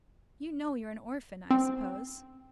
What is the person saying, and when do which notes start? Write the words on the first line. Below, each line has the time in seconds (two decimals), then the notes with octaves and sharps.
You know you're an orphan, I suppose?'
1.51 C4